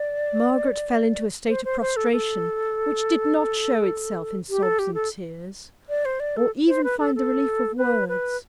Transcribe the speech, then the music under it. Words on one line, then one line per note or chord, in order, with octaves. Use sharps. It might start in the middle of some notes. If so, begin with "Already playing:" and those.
Margaret fell into a state of prostration, which did not show itself in sobs and tears, or even find the relief of words.
Already playing: D5
C5
C5
C5
A4
A4
G4
A4
G4
A4
D5
C5
D5
A4
C5
B4
A4
A4
B4
B4